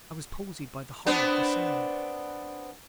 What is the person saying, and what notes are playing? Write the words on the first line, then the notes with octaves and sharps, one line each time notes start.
I was palsied by the horror of the sound.
B3 C4 D4